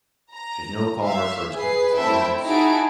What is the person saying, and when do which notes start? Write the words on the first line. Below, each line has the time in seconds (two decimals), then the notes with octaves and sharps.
She was no calmer for his quick disappearance.
0.31 A#5
1.00 E5 F5
1.52 G#4 B4 C7
1.95 A3 C4 E4 A4 E5 G5
2.44 D#4 E4 F#4 G#4 A5 D7